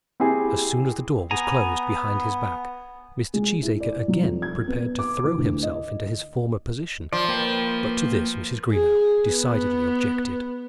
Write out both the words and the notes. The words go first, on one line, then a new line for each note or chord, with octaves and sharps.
As soon as the door was closed behind his back, Mr. Cheesacre again prepared to throw himself into his former position, but to this Mrs. Greenow decidedly objected.
C4 E4 G4 G#4
B3 G#5 A#5
G#3
E4
D5
F#3
F2
G#6
B3
D6
E3
D2
D#5
F3 D5
A#3 B4 G5
G#4
B3